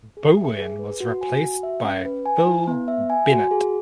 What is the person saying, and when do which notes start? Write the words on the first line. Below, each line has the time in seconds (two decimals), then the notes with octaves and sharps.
Bowen was replaced by Phil Bennett.
0.17 G#4
0.37 E5
0.58 G#4
0.79 B4
1.00 F#4
1.21 G#5
1.42 F#4
1.63 E5
1.84 C#4
2.05 B4
2.26 G#5
2.47 E4
2.67 B3
2.88 E5
3.10 G#5
3.30 F#4
3.51 G#4